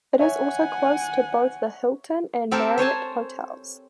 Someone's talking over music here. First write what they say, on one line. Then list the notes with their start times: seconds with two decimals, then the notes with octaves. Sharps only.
It is also close to both the Hilton and Marriott hotels.
0.19 C#5 E5 F#5 G#5
2.51 C4 G4 A4 A#4 C5
2.77 C5 C#5 G#5 A5